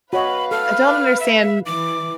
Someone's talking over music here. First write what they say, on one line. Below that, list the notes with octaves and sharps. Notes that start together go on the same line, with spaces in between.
I don't understand
F#4 B4 C#5 D#5 F5 B5
A4 F6
E5
E3 D6